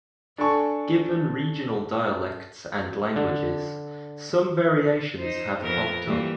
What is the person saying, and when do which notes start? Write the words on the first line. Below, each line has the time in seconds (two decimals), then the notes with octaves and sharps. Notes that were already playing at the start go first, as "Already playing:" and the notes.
Given regional dialects and languages, some variations have popped up.
0.38 D4 A4 G#5 A5 C#6
3.16 D3
5.17 D#4 C5
5.59 F2 B3 A#4
6.05 E3 G3 A#3